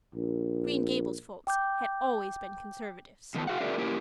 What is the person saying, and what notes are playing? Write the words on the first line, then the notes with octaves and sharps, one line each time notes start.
Green Gables folk had always been Conservatives.
A#1
G5 D6 G6
E2 C3 D#3 F3 B3 A5
F#4 G#4 F5 F#5
C#4 F#4 G#4 A#4 D5 E5
A#3 C#4 E4 G4 A#4